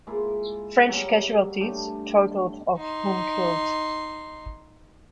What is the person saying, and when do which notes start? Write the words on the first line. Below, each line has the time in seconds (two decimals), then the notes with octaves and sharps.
French casualties totalled of whom killed.
0.07 G#3 A#3 E4 F4
0.88 F#3 G3 C#4
1.61 G3 A3 D4
2.78 D#4 C6